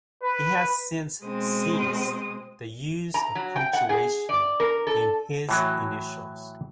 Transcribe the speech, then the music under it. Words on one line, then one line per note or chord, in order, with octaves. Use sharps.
He has since ceased the use of punctuation in his initials.
B4
B2 G#3 C4 D#6
A#5
F#3
G5
F#5
G#4
D5
A#4
A4
A2 E3 F#3